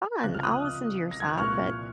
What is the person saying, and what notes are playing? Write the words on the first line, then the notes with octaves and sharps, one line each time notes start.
fine, I'll listen to your side, but
C#2 C3 F3 F#6
F6
D#6 F#6
A#6
G#6
F#6
C2 A#2 F3 C#6 F6